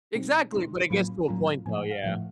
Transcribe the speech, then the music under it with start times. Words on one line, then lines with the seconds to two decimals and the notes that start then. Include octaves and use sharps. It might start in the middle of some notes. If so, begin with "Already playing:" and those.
Exactly, but it gets to a point though, yeah.
0.15 B2 G#3 C4 D#4
0.52 B2 G#3 C4 D#4 C6
0.90 A2 F#3 A#3 C#4 F4 B5
1.28 A2 F#3 A#3 C#4 F4 A#5
1.66 A2 F3 A3 G#5
1.78 F#5
1.91 F5
2.04 A2 F3 A3 F#5